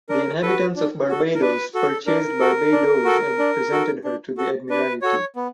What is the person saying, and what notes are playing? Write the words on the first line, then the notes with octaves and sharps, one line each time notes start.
The inhabitants of Barbados purchased "Barbadoes" and presented her to the Admiralty.
D4 A#4
F#4 A4 B4
D4
F#4 A4
A#4
D4 B4
F#4 A4
D4 A#4
F#4 A4
D4
F#4 A4
D4
F#4 A4
D4
F#4 A4
D4 B4
F#4 A4 C#5
B3